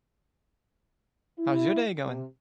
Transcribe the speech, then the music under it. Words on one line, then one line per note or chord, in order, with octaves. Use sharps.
How's your day going?
E4
C3